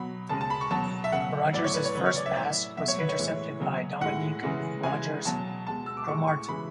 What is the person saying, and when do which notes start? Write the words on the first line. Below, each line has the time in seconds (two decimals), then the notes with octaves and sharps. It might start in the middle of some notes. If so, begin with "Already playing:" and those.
Rodgers's first pass was intercepted by Dominique Rodgers-Cromartie.
Already playing: B2 F#3 B5
0.29 C#3 G#3 A5
0.41 A5
0.50 B5
0.61 C#6
0.71 B2 F#3 A5
1.04 E5
1.12 C#3 F#3 F#5
1.53 A2 F#3 D5
1.64 C#5
1.74 B4
1.85 C#5
1.95 C#3 F#3 B4
2.06 C#5
2.16 D5
2.26 E5
2.36 A2 F#3
2.77 B2 F#3 E5
2.88 C#5
2.99 B4
3.09 C#5
3.19 A2 E3 G#3
3.60 C#3 F#3
4.01 A2 G#3 F#5
4.43 C#3 E3 G#3
4.83 C#3 E3 G#3 G#5
5.25 B2 F#3 A5
5.66 B2 G#3 A5
5.86 E6
5.97 D6
6.07 A2 G#3 C#6
6.27 C#6
6.48 C#3 E3 G#3 B5